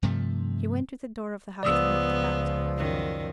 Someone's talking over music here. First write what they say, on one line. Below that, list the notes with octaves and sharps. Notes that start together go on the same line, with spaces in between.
She went to the door of the hut and looked about.
G2 C3 F3 A3
C#2 F3 B3 D5 D#6 E6
F#2 D#3